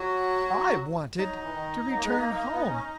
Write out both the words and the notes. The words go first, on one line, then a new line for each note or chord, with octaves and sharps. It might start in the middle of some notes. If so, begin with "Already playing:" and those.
I wanted to return home.
Already playing: F#3 F#4
F#3 D#4
E3
D#3
F#3
A#3
G#3
A#3
A#3
B3
C#4